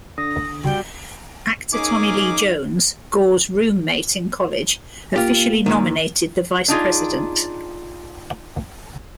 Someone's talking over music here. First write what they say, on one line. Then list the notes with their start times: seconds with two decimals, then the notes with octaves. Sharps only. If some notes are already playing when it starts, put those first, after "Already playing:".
Actor Tommy Lee Jones, Gore's roommate in college, officially nominated the Vice President.
0.18 D3 D#6 A#6
0.64 G3 F#4 G5
1.73 A#3 C#4 D#4 G#4 D6
5.16 A#3 F4 G4
5.66 D#2 A#2 D#3
6.68 D4 D#4 F4 G#4